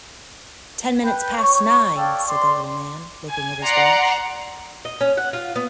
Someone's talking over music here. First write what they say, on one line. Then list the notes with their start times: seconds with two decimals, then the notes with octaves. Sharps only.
Ten minutes past nine!’ said the little man, looking at his watch.
1.04 B4 G5
1.38 C#5 C#6
1.97 A4 C#5 D5 F5 G5
2.28 D5 C6
3.29 G#5
3.63 D5 F#5 A#5 C6 C7
4.85 D#5
5.01 C#4
5.17 F#5
5.33 F4
5.56 B3